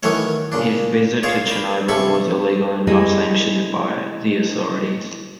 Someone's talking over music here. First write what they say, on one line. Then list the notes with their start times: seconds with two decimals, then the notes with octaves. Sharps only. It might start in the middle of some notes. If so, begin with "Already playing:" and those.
His visit to Chernobyl was illegal and not sanctioned by the authorities.
0.03 D#3 E3 F#3 A3 C#4 C#5
0.52 A#2 C#3 D4
1.23 F4 G#4 C#5 D5
1.47 A#4 D5 B5
1.89 C3 C#4 A4 B5 C#6
2.87 G3 G#3 E4 G#4 D#5